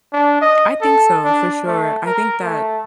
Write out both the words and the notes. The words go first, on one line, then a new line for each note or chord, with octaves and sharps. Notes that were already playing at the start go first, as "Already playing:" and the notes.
I think so for sure, I think that
D4
D#5
A4
D4
A3
A#4
A3